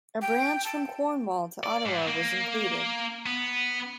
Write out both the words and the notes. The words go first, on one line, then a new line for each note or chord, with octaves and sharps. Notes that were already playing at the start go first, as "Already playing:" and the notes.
A branch from Cornwall to Ottawa was included.
G5
A5
D5
G#2
A#3
B3